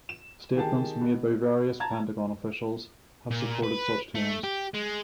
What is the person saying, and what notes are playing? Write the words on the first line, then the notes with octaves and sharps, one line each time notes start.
Statements made by various Pentagon officials have supported such claims.
E7
D#3 G4 G#4 A5
B2
A5 A#5 G#6
A#2
B4
A3
G4
G#3